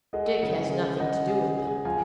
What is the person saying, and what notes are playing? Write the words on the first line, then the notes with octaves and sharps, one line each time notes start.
Dick has nothing to do with them.
G#3 D#5 F#5
C#3
G#3
C#3 D#5 F#5
G#4
G#4
F3 F5 G#5